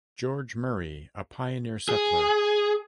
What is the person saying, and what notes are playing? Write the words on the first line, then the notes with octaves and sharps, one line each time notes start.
George Murray, a pioneer settler.
G#4